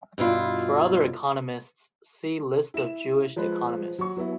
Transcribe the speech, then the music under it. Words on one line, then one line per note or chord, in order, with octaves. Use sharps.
For other economists, see List of Jewish economists.
G2 B2 E4 F4
E4 E7
F3 G#3 B4 C5
F#3 C#6
F#3 B3 E4